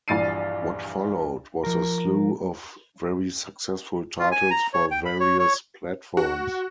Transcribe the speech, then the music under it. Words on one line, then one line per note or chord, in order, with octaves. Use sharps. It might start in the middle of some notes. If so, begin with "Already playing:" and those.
What followed was a slew of very successful titles for various platforms.
A#1 G2 E3 A6 C7 D#7
F3 A#4
F4
G#5
A#5
C#5
G5
B5
C#5
C#5
F#4